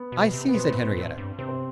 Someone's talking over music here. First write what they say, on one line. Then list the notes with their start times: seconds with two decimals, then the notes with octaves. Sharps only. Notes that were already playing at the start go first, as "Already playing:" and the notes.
"I see," said Henriette.
Already playing: B3
0.12 B2
0.33 C3
0.48 B3
0.55 B2 C4
0.69 A2
0.83 A2
0.97 A2
1.18 G2
1.38 C3 C4
1.49 C4